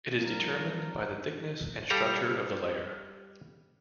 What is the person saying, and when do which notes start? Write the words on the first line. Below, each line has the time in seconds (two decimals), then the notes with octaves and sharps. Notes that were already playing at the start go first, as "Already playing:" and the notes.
It is determined by the thickness and structure of the layer.
0.20 F3 G3 A#4
0.59 F3 G3 C4
1.90 G3 G4 A4 F5 A#5